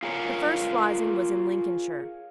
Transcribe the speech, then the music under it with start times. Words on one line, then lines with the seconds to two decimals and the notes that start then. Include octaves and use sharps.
The first rising was in Lincolnshire.
0.03 F4 G#4 A#4 C#5